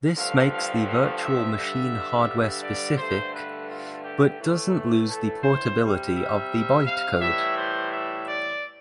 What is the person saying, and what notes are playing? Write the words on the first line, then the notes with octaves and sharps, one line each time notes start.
This makes the virtual machine hardware-specific, but doesn't lose the portability of the bytecode.
G2 D3 F3 A3 F5
F5
F5
E5
G2 D3 G3
D5
G2 D3 A3 C5
B4
F4
G4
A2 E3 A3
A4
C5
C3 G3
E5
F5
A2 E3 G3 E5
C5
E5
D5